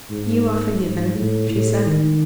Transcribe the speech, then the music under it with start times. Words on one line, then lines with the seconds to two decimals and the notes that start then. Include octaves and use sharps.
"You are forgiven," she said.
0.10 G#2
0.81 G#2
1.15 A2
1.50 A2
1.85 D#3